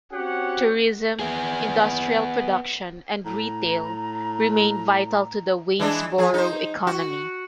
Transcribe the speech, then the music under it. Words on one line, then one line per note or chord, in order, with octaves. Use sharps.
Tourism, industrial production, and retail remain vital to the Waynesboro economy.
C4 C#4 F#4 G4 C#5 F#5
B3 G#4
A2 A#5
E3 G#3 D4
F3 G#4
D#4 C5
F#4